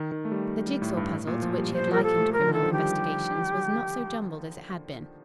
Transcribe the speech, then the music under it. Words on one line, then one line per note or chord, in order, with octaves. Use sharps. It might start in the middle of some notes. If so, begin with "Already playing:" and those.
The jig-saw puzzle to which he had likened criminal investigations was not so jumbled as it had been.
Already playing: D#3
D#3
A3
G3
G3
A2
G2
A2
A#2
F3
G3
F3 C5
F3 A#4
F3 A4
A3
A#4
D3
D#3
A4
F3
G4
G3
G3